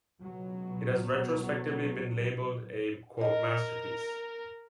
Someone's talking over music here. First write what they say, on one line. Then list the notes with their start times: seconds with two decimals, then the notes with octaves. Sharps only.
It has retrospectively been labelled a "masterpiece".
0.21 C#2 B2 F#3 B3
3.21 A#4 D#5